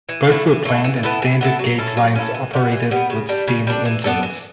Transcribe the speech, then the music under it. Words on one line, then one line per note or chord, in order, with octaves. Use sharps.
Both were planned as standard gauge lines operated with steam engines.
E3
A3 E4
E3
A3 E4
E3
B3 E4 A4
E3
B3 E4 A4
F#3
C#4 E4 A4
F#3
C#4 E4 A4
E3
G3 B3
E3
G3 B3
C#3
G3 D4
C#3
G3 D4
E3
B3 D4 A4
E3